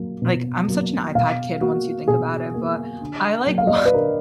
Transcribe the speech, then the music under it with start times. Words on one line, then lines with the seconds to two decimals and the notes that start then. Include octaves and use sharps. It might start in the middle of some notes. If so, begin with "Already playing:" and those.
like, I'm such an iPad kid once you think about it, but I like wa
Already playing: F#3 A#3
0.22 B2
0.68 F#3 A#3
1.15 B2 F5
1.61 A#3 F#4
2.08 B2 G#4
2.54 A#3
3.00 D3
3.47 F#3 A#3
3.58 F5
3.67 D#5
3.76 D5
3.85 B4
3.94 D3 A#4